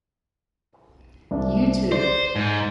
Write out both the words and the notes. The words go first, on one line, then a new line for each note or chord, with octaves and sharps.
You too.
C2 D4
C5 D5
G#2